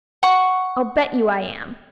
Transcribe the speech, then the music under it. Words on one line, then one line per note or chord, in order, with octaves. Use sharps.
"I'll bet you I am!"
F#5 C#6